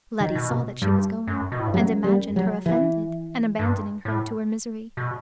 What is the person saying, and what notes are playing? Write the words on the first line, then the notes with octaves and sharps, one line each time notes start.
Letty saw that she was going, and imagined her offended and abandoning her to her misery.
D#3
B2
B2
G2 G3
F#2
B2
A2
G2
F#2 F#3
G3
F#3
E3
G2
A2
B2